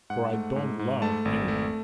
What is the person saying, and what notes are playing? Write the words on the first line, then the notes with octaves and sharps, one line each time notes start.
For I don't love any one.
G#2 F#5
A3
G#2
G#2
A3 A5
G#1
A3